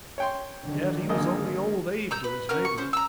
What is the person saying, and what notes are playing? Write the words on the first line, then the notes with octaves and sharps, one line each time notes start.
Yet he was only "Old Abe" to his neighbors.
C#5 G5 C6
D3 D#3 F#3
G#1 A#3 D#5
A#5 E6 G6
B4
C#4 F#4 A#4 F6
C#6
C#4 C5
A#5 E6